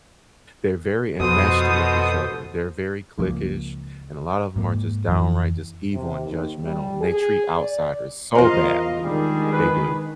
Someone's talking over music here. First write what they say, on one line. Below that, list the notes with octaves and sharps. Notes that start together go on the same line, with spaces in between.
they're very enmeshed with each other. They're very cliquish, and a lot of them are just downright, just, evil and judgmental, and they treat outsiders so badly, they do,
F2 B2 F#4 A4 C5 D#6
C#2 F3 A#3
G#2 A#3
F2 E3
C3
D#2
G3
G#4
D5
E2 F4 A#4 C5 D#5 F5
D#3 G3 G#3 D4 G#4
B4